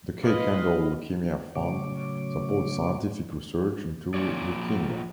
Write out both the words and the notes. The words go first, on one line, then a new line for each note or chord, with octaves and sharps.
The Kay Kendall Leukaemia Fund supports scientific research into leukaemia.
F4 B4 D#5 F5 B5
A2 C#3 F#3 C#5 D6
A#2 F3 G#3 C#5 D5